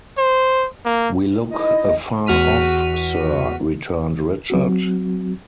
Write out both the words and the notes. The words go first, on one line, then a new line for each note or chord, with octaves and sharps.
"We look afar off, sir," returned Richard.
C5
A#3
D#4 E4 D#5
E2 F#4 F6 B6 D#7
F#3 C4 F#4